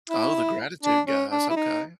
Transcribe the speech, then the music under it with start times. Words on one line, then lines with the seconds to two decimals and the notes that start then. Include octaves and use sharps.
Oh, the gratitude guys. Okay.
0.10 E4
0.83 D4
1.07 C#4
1.32 D4
1.50 E4
1.57 D#4